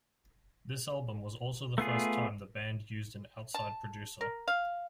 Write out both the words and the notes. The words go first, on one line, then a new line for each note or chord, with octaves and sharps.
This album was also the first time the band used an outside producer.
A3 B3 F4 G#4
A5
A#4
F5